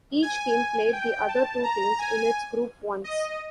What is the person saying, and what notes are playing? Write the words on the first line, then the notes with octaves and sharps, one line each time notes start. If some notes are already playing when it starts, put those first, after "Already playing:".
Each team played the other two teams in its group once.
G#5
G5
A5
A#5
G#5
D#5